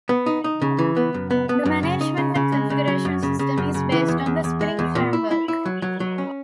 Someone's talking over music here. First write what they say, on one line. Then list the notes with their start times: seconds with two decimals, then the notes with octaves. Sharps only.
The management and configuration system is based on the Spring Framework.
0.09 B3
0.26 D#4
0.44 D#4
0.62 C#3
0.78 E3
0.96 B3
1.14 F#2
1.31 B3
1.49 B3
1.66 F#2
1.83 C#3
2.01 D#4
2.17 C#3
2.35 C#3
2.52 G#3
2.70 C#3
2.88 F#3
3.05 F#2
3.23 C#3
3.39 C#3
3.58 F#2
3.74 C#3
3.92 E3
4.08 E2
4.26 E2
4.44 E2
4.61 G#3
4.79 E2
4.95 A#2
5.13 E4
5.31 E4
5.48 E4
5.66 F#3
5.82 F#3
6.00 F#3
6.18 C#4